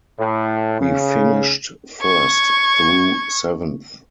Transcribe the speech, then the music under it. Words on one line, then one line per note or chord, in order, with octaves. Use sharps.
We finished first through seventh.
A2
C#3
C#6 G#6